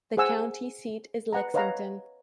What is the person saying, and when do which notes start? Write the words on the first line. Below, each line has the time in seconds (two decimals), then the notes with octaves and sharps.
The county seat is Lexington.
0.17 G#4 C5 F#5 G#5 E6
1.33 B4 F#5 A#5
1.54 B4 C#5 D#5 F5 F#5 A#5